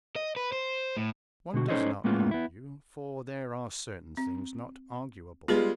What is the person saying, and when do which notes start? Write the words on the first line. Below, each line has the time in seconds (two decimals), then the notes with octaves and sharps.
One does not argue, for there are certain things not arguable.
0.16 D#5
0.36 B4
0.52 C5
0.97 A2
1.54 B2 D3 F#4
1.68 C#4 D#4 A4 C5 C#5 D#5
2.04 A2 G#3 A#3 B3 C#4 F4
2.31 B3 E4
4.17 C4
5.48 G3 G#3 B3 F4 G#4 B4